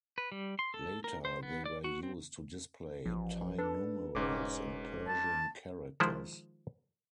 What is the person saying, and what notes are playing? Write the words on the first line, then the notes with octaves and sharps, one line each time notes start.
Later they were used to display Thai numerals and Persian characters.
B4
G3
C6
A4
A#4
C5
B3
D5
F#4
C4
A1 F3
D4 A4 B4
E1 G#2 C#4 D6
A5
D#3 F3 G#3 E4 F4 C5